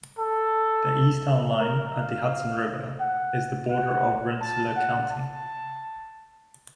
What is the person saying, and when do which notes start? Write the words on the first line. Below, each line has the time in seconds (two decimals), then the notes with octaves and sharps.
The east town line, at the Hudson River, is the border of Rensselaer County.
0.19 A4
1.60 A#4
1.95 F5
3.00 F#5
3.70 F#5
4.41 A5
4.76 F#5
5.11 A5